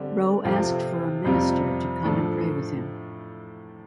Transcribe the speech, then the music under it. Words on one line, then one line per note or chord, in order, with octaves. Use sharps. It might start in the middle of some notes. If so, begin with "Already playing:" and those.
Wroe asked for a minister to come and pray with him.
Already playing: D3 G3 C4
C3 F3 C4 F4 A4
F2 C3 G3 C4 F4
A2 F3 A3 D4 A4